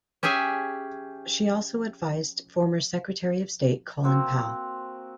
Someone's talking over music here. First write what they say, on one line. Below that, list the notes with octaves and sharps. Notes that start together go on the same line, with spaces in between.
She also advised former Secretary of State Colin Powell.
C#4 G4 G#4 E5 G#5
A#3 C4 F#4